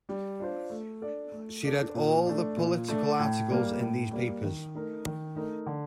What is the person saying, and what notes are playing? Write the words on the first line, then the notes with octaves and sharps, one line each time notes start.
She read all the political articles in these papers.
G3
D4 F4 C5
A3
D4 A4 D5
A3
D4 A4 D5
A#2
A3 D4
A#2
A3 D4
A2
G3 A#3
A2
G3 A#3
D#3
A3 D#4 A#4
D#3
A3 D#4 A#4
D3